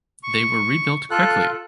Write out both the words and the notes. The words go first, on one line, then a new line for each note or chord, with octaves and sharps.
They were rebuilt quickly.
C#6
F4 A4 F#6